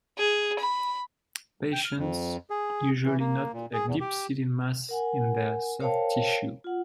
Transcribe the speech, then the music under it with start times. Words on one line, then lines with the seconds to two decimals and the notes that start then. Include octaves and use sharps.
Patients usually note a deep seated mass in their soft tissue.
0.18 G#4
0.59 B5
1.73 G5
1.85 F6
1.98 F2
2.50 G#4
3.05 E3
3.20 A#3
3.53 A#2
3.73 G#4
3.87 E2
4.00 G4
4.89 A#4 F#5 G#5
5.80 A#4 C5 C#5 F5 G5 A5
6.64 F4 F#5